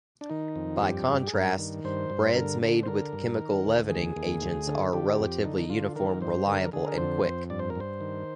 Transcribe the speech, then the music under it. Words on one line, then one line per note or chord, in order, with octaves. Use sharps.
By contrast, breads made with chemical leavening agents are relatively uniform, reliable, and quick.
D4
D#3 D#4
F2
F4
G2 G4
G2
G#4
G2 A#4
D#3
G2 C5
G2
D3 A#4
D3
C5
D3 A#4
G2
D#3
D2
D#2 G#4
D#2
D2
D3
D3 G4
F2
D3 D#4
D#4
D3 F4
D#3 A#4
G2 C5
D3 A#4
D3 G#4
A#4
F2 C5
F2
G2 D5
C5
A#4
G2 C5
D#3